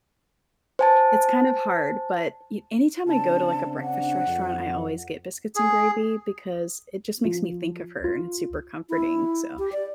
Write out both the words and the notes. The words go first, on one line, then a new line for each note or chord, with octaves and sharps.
It's kind of hard but y anytime I go to, like, a breakfast restaurant, I always get biscuits and gravy because it just makes me think of her and it's super comforting. So,
C5 G#5 A5
C#3 C4 D4 A5
F#5
F2
G#4
F3
F4
E4
G4
D5